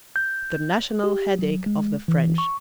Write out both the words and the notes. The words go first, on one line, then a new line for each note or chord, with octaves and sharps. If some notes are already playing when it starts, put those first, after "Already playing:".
The national headache of the French.
G6
G4
F#3
G#3
E3
C#6